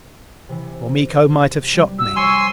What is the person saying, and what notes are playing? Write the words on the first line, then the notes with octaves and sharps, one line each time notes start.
Or Miko might have shot me.
C3 E3 B5
G3
F#4 E6
F3 C#5 G#5 C6 C#6 E6